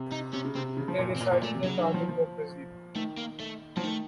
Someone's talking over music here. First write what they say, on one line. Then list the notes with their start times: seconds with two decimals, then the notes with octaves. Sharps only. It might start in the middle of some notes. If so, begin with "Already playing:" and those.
They decided their target was Brazil.
Already playing: C3
0.12 D#4
0.33 C3 C#4
0.45 C#3
0.55 C3 C4
0.77 C#3
0.88 F3
0.98 A#2
1.09 A#2
1.16 C4
1.20 A#2 A#3
1.31 A#2
1.42 A#2 A3
1.53 C3
1.64 C#3 F#3
1.79 D#3
1.94 F3
2.09 F3
2.95 D#3 A3
3.18 A#3
3.40 A3
3.77 F3 F#3
3.83 D#3 A3